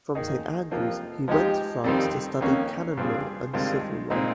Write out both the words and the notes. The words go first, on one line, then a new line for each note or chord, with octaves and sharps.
From Saint Andrews he went to France, to study canon law and civil law.
D#3 A#3 D#4 G#4
F2 C3 F3 A#3 F4
F3 G#3 D#4 G4
F2 D#3 G3 C4
F2 D#3 A#3 C#4
G2 F3 C4 F4 G#4
G2 D#3 G#3 C4 F4
A#2 G#3 C4 D#4